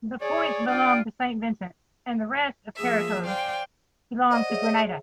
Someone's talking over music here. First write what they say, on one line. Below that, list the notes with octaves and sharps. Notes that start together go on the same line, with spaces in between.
The Point belonged to Saint Vincent and the rest of Carriacou belonged to Grenada.
G#4 C#5 D5
D4 F4 D5 G5
F3 A#3 G#4 E5
C5 D5 F5 G5 G#5
C5 D5 D#5 F#5
G#4 C#5 E5